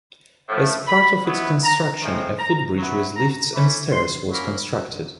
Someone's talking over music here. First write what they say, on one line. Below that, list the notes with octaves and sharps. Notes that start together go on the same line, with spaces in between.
As part of its construction, a footbridge with lifts and stairs was constructed.
A2 F3 A3
B5
B2 F#3 B3 E4
A#5
A2 F3 G#3 C4
A#5
F#3 B3 E4
A#5
E3 A3 C#4 E4 B5
C6
F#3 A#3 C#4 B5